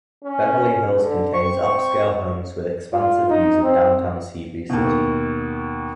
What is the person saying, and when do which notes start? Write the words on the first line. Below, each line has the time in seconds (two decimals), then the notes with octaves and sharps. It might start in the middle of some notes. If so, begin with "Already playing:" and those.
Beverly Hills contains upscale homes with expansive views of downtown Cebu City.
0.24 C#4
0.96 D3
1.33 C4 C#6
2.93 F4
3.30 D#4
3.62 C4
4.70 D#2 B2